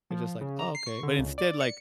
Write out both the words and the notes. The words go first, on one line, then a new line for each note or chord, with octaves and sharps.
They're just, like, "Oh, okay." But instead, like
F3
C#3
A#5
C7
C#6
D3
C#2
D5
C#7